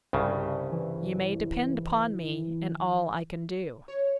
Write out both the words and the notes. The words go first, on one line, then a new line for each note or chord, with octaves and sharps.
You may depend upon me, and all I can do.
C2 G2 C#3
E3
C#5